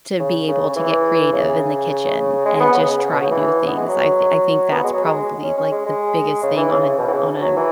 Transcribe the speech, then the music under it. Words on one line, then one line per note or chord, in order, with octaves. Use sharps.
to be able to get creative in the kitchen and just try new things, I've I think that's probably, like, the biggest thing on a on a
C#3
C#3
C#3
E3
C#3
G#3
G#3
B3
C#3
B2
C#3
E3
B3
G#3
F#3
B3
G#3
F#3
G#3
C#4
C#4
G#3
G#3
C#3
E3
C#3
B2
E3
C#3
F#3
E3